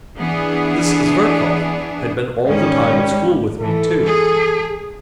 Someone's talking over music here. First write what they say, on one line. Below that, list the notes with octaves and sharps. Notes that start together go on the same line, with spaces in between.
This Zverkov had been all the time at school with me too.
E3 B3 D4 G#4
G#2 D#3 G3 C#4
E3 A4
G#4